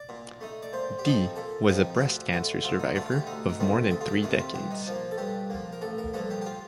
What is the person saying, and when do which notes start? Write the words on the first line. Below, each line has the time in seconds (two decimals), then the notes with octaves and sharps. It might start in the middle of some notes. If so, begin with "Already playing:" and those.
Dee was a breast cancer survivor of more than three decades.
Already playing: D5
0.09 A#2
0.41 A3 D#4
0.62 D5
0.73 A#2 C5
0.99 G4
1.04 F3 C4 D#4 A4
1.36 A#2 A4
1.68 F3 C4 D#4 G4
1.95 F4
2.00 D2 G4
2.32 D3 A3 D4
2.63 D2 F4
2.79 D#4
2.95 D3 A3 D4 F4
3.05 F4
3.11 G4
3.27 D2 D#4
3.49 D#4
3.60 C3 D#3 A3 F4
3.91 D2 A4
4.01 F4
4.07 G4
4.23 C3 D#3 A3 F4
4.38 F4
4.54 G2 G4
4.71 D#4
4.87 F3 A#3 F4
5.11 A4
5.18 G2 G4
5.50 F3 A#3
5.73 A#4
5.81 A1 A4
5.98 A#4
6.14 G2 F3 A#3 A4
6.30 G4
6.41 G4
6.46 F4